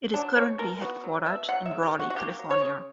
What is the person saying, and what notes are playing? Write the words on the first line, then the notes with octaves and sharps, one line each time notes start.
It is currently headquartered in Brawley, California.
F#3 D4
B2 C#5
B2 A#4
B3 F#4
F#3
B2 E5
F#3 F#5
E5
C#3
G4
C#3
F#4
F#4
A#3 G4
F#3
C#5
C#3